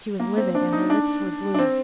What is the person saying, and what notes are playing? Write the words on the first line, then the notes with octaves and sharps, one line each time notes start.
She was livid and her lips were blue.
A#3
C4
D4
D#4
D4
D4
C4